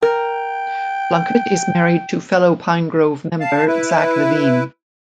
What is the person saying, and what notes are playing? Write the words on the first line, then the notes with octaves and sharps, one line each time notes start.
Plunkett is married to fellow Pinegrove member Zack Levine.
A#4 G5
F5 A5
E4 B4